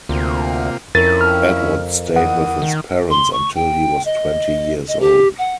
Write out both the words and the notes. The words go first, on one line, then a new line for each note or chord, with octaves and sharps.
Edward stayed with his parents until he was twenty years old.
D2 C3 A#3 F4
F2 C#4 E4 A#4 A6
F6
E2 F#5 D#6
D#3
C6
C#6
G5
D#5
D#5
G4
F#5